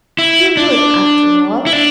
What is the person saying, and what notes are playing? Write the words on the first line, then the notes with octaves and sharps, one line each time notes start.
He WOULD after all.
E4
D4
E4
D4